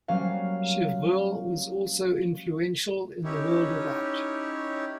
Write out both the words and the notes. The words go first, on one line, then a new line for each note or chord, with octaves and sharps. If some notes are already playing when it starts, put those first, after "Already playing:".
Chevreul was also influential in the world of art.
F#3 G3 A#3 C#4 F5
C#4 D#4 E4 G4 C#5